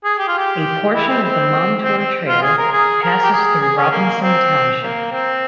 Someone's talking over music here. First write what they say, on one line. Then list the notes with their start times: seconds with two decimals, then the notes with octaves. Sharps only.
A portion of the Montour Trail passes through Robinson Township.
0.04 G#4
0.19 G4
0.28 F4
0.38 G4
0.94 E4
1.09 C4
1.24 C4
1.83 C4
1.98 C4
2.28 F4
2.42 G#4
2.58 A#4
2.72 G#4
3.03 A#4
3.23 G4
3.32 G#4
3.62 G#4
3.77 C#4
3.91 A#3
4.22 C4
4.82 A#3
5.11 C4